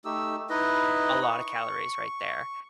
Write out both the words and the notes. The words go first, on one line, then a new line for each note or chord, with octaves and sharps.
a lotta calories right there."
A3 D#4 G4 E6
D#4 E4 B4 D#5
C#6